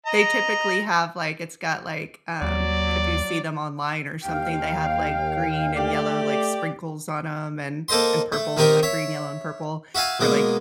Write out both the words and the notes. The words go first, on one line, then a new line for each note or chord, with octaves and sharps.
They typically have like, it's got, like, um, if you see them online or something, they have, like, green and yellow, like, sprinkles on 'em and and purple, like green, yellow, and purple for like
D#5 A#5
D#2 F#3 D5
D#2 F5 G5
A3 G4 D5
A#3 A4 C5 D#5 C6
A3
D#3 C4 D#4 G4 A#4
C#5 E5
F#4 E5 F5 G#5
B2 G#3 A#3